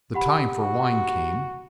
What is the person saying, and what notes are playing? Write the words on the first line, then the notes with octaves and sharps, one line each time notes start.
The time for wine came.
G4 F#5 B5
F#4